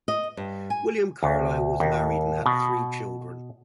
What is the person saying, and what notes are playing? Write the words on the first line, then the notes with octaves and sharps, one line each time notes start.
William Carlisle was married and had three children.
D#5
G2
G#5
D2
D#2
B2